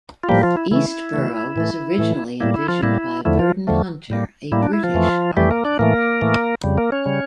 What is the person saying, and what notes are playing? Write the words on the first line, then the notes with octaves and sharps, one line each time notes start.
Eastborough was originally envisioned by Burdon Hunter, a British architect.
F4
A2 F3 G3 A#3 G4
F3 F4
E4
C#3 E3 A3 E4
C#3 E3 A3
A2 E3 A3
A2 E3 A3
A2 G3 A#3 E4
E4
F3 F4
A2 G3 A#3 E4
E2 D3 F3 A3 E4
F3 F4
E2 D3 F3 A3
A2 G3 A#3
A2 G3 A#3 E4
D4
E4
F3 F4
F2 E3 A3
F2 E3 G3 A3 G4
A#3 A#4
D4 D5
A2 E3 A3 A#3 A#4
A2 E3 A3
F2 C#3 G3
A#3 A#4
C#4 C#5
C#3 G3